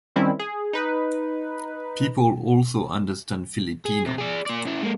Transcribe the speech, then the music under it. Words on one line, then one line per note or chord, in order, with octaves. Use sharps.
People also understand Filipino.
D#3 G3 C4 C#4 E4
G#4
D#4 B4
G#4
C3
G#4 D5
A#3 D5
C#3 E4
G#3 A#3